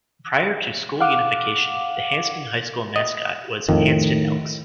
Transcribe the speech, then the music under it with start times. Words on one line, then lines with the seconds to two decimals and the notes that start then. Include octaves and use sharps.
Prior to school unification, the Hanston High School mascot was Hanston Elks.
1.00 F5 F#5 D6
2.96 D#5
3.69 F2 A2 D#3